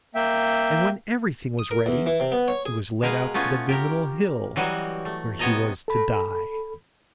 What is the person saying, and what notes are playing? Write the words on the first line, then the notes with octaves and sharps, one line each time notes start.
And when everything was ready he was led out to the Viminal Hill, where he was to die.
A#3 E5 G5
D#6
A#4
E2
E3
C3
B3
C#5
G#4
B2 G#3 A#4 B4 F5
A3 B3 C#4 F4 C#5
G4 A#4
E3 F#3 G3 F#4 D#5
A3
C3 B3 C#5 D#5 A5 A#5
A4 B5